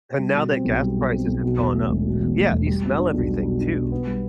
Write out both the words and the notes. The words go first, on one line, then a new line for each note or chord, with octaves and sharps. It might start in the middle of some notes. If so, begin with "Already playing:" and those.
and now that gas prices have gone up Yeah, you smell everything too.
G3
B2
C4
B1
G3
B2
C4
B1
B2
E2
A3
E1
B2
E2
A3
E1
G3
B2
D4
B1
G3
B2
D4
B1
B3
G3